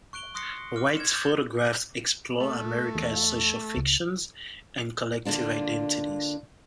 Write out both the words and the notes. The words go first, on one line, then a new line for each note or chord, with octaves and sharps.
White's photographs explore America's social fictions and collective identities.
C#6 F#6 D7 G7
C6 D#6 F#6 A#6 C7 C#7
D6 F6
G#6 A#6 E7
D6 D#6 F6 G6 A6 E7
A3
E2
C#2
D3 A#3 D4 F4